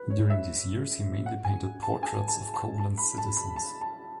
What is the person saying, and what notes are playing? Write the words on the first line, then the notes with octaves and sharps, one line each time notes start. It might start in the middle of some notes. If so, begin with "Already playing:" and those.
During these years he mainly painted portraits of Koblenz citizens.
Already playing: B4
C#5
E5
F#5
G#5
A5
G#5
A5
A5
A5
B5
A5
B5
A5
A5